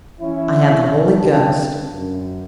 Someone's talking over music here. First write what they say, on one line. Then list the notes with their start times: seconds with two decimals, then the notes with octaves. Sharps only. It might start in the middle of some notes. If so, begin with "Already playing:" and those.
I have the Holy Ghost.
0.21 E3 C#4 E4
1.17 G1 D3 B3 G5 A5
1.92 F#2